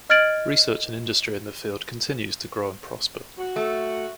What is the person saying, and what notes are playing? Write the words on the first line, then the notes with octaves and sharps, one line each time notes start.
Research and industry in the field continues to grow and prosper.
D#5 F6 G#6 A6 D7 F#7
F#4
A3